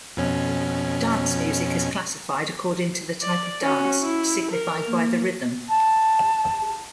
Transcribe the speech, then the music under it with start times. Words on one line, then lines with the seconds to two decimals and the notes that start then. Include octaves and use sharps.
Dance music is classified according to the type of dance signified by the rhythm.
0.17 F2 B2 C#4
3.22 D5
3.62 C#4 F#4
4.02 E4
4.51 A#4
4.85 A#3
5.69 A5